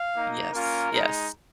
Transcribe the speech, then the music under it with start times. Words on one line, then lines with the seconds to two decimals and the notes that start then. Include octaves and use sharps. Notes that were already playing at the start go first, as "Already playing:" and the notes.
Yes, yes.
Already playing: F5
0.15 A#3 D#4
0.53 A#3 C#4 F4 A#4
0.90 G#3 D#4